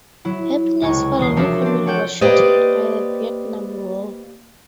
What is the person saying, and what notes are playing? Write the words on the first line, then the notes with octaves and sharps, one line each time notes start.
Happiness for the new family was shortened by the Vietnam War.
F#3 E4
C#2 C3 G#5 C#6
E1 D#6 C7
F3 C#4 D4 F#4 A#4 E5
C4 D4
A4 C#5 F#5 G5
A#3 G4 B4 C5 D5 D#5